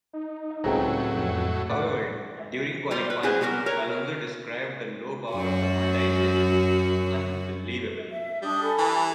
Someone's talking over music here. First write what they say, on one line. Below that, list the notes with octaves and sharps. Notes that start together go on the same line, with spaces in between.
However, during qualifying Alonso described the low power of the Honda engine as "unbelievable".
D#4
C#2 A2 F#3 C4 G#4 G5 A#5
F2
A2 B4 D5 F#5
G3 F4 C5
B4
C4 E4 F#4 G#4 B4 C5
G3 B3 F#4 G4 A#4
A#4 B4 C#5
F#2 F#4
E5
G3 D4 D#6
A4 G#5 B5
E3